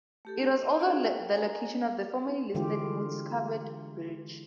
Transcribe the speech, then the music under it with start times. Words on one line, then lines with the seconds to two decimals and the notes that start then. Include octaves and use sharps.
It was also the location of the formerly listed Mood's Covered Bridge.
0.25 A3 G4 A4
0.61 D#5
0.79 D4 F4 F#4 G#4 D5 E5
1.00 F5 G5
1.33 A#4 C#5 G#5 A#5
2.55 D3 E3 G#3 F4 G4